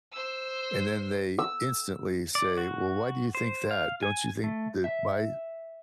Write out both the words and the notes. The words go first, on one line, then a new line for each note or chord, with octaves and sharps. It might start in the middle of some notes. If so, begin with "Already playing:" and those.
and then they instantly say, “Well, why do you think that? Don't you think that my
C5 E6
E6
D5
F#4
C5
F5
G#5
A3
E5